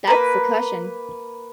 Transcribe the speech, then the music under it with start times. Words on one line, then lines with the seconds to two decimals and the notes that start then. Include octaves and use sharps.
That's the cushion.
0.07 A#3 B4